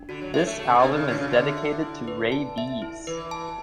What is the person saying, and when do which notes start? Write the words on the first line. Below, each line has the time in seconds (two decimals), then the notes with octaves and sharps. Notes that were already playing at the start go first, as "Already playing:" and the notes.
This album is dedicated to Raybeez.
Already playing: D4
0.09 D3 F#4
0.22 F#3
0.34 G#3 E5
0.46 A3
0.59 A3 A4
0.70 C#3
0.75 B2
0.83 D4
0.92 C#3
1.08 D3 F#4
1.18 C#3
1.28 D3
1.33 E5
1.58 E5
1.83 E4
2.08 B4
2.32 A5
2.58 E5
2.82 E4
3.07 E3 B4
3.31 A5